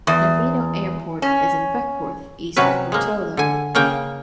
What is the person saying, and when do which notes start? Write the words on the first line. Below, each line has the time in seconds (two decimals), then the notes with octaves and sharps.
Nervino Airport is in Beckwourth, east of Portola.
0.07 E2
1.22 C#4
2.56 C3 F#3 C#4 B4
2.92 G#3 A#3
3.37 D3 G#5
3.75 C#3 A#3 G5